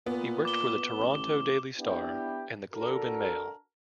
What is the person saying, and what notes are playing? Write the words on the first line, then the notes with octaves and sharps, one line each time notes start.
He worked for the "Toronto Daily Star" and "The Globe and Mail".
A#2 B3
D6 G7
A1
B3 D4 E4 G4
D4 F#4 A4 A#4